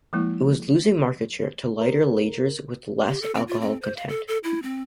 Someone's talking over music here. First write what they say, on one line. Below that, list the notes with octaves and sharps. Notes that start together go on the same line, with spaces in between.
It was losing market share to lighter lagers with less alcohol content.
F3 G#3 A#3 E4
A#4
G4
A4
C4
F4
C4
C5
F5
A4
A4
E4
C4